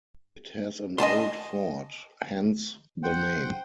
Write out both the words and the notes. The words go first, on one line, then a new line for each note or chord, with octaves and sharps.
It has an old fort, hence the name.
D#5 G#5 A5 C6
C5 F#5 G5